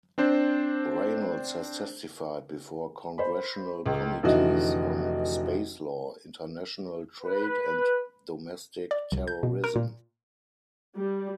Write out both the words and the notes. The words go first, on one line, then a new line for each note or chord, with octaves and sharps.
Reynolds has testified before Congressional committees on space law, international trade, and domestic terrorism.
C4 D4 C5
C5 B5
C#2
F1 D3 E3 D#4 F#4 D#5
B4
D5
C2
G6
B2
A#4
A#2
G3